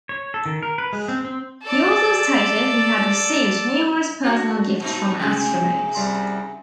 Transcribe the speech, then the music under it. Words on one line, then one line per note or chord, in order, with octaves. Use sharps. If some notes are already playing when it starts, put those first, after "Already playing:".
He also stated he had received numerous personal gifts from astronauts.
C#5
A4
D#3
A#4
B4
G#3
C4
C4
A4 D5
D4 F#4
A#2 D#4
C3 G#4 G5 C6
C2 G3 C6